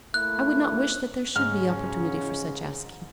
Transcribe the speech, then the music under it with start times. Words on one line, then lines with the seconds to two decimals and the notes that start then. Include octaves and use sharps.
I would not wish that there should be opportunity for such asking.
0.14 A3 A#3 E4 F#6
1.36 G#2 C#3 C#4 F6